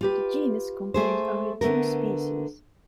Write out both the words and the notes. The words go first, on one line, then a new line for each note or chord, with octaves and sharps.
The genus contains only two species.
F4 G4 B4
A3 G#4 C5
D3 A3 B3 A#4